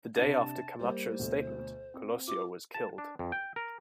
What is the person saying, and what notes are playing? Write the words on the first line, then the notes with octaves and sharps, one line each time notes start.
The day after Camacho's statement, Colosio was killed.
C3 D4 A5 A6
G3 A#3 C5
D2 B2
C4
F4 D6
A5
D4
F2
G5
A#4